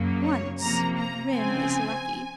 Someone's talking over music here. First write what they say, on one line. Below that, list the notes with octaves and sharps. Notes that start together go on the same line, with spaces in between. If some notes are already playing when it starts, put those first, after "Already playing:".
Once Grim is lucky.
Already playing: F#2 C#3 F#3 A#3
C#5
C3 F3 A#3 A#5
A#5
C#3 F3 C4 G#5